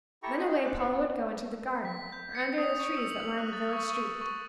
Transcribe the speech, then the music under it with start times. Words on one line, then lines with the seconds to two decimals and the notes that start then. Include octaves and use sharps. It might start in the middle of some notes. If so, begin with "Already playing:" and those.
Then away Paula would go into the garden or under the trees that lined the village street.
0.23 E4 G4 A4 G5 A#5 C#6
0.37 C4 D#4 G#4 D#5
0.65 A4 D6 F#6
0.78 B3 B4 F5 C#6
1.85 B6
2.12 G6
2.35 C#7
2.58 D#6
2.79 C#6
2.97 E6
3.11 F#7
3.38 F#6
3.53 A6
3.73 C#6
3.90 C#6
4.21 C#6